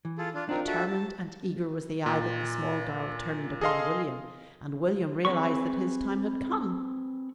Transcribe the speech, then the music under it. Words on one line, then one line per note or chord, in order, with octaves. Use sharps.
Determined and eager was the eye that the small girl turned upon William, and William realised that his time had come.
E3
F4 G#4 A4
D4 F4
C4 D4 D#4 F4 A#4
F#4 A4 E5
A5
A#2
G#4 A4 D#5 F5 C6
C4 G#4 B4 C#6